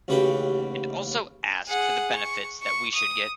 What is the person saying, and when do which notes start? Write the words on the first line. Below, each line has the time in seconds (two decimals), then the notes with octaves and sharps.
And also ask for the benefits that we should get.
0.08 A1 D#2 C#3 F#4 B4 G5
1.68 G#4 F#5
2.15 C#6
2.63 C#6
2.95 D#6